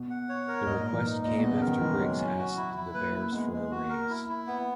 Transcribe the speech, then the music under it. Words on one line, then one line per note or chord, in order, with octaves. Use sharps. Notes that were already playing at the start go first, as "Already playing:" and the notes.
The request came after Briggs asked the Bears for a raise.
Already playing: B2
F#5
C#5
A#4
G#2 D#5
A#2
A#4
E3
D#4
A#2 D#5
B2 B3
C#3
A#4
D#3
E3 G#3
F#3 G#3
C#4
F#4
E4
E4
A#3 B4
A#3 E4
G#3 B3
G#3 B3
A#3 F#4
A#4
E4
E4
B3